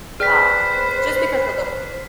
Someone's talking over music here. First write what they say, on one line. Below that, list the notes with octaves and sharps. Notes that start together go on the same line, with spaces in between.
um, just because of the ho
G#4 B4 C5 D5 G5 F6 B6